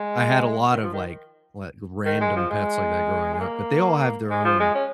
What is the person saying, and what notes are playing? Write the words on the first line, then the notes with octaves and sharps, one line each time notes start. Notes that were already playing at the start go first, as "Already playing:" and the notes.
I had a lotta, like, like, random pets like that growing up, but they all have their own
Already playing: G#3
D#3
F3
D#3
D#3
G#3
F3
G#3
G#3
A#3
G#3
F3
G#3
C#4